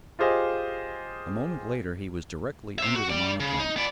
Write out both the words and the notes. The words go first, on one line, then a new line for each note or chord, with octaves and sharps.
A moment later he was directly under the monoplane.
F4 G4 G#4 C5 D#5 F5
C5 E5
F#4
G3 D5
C#3
D#4
B3 D5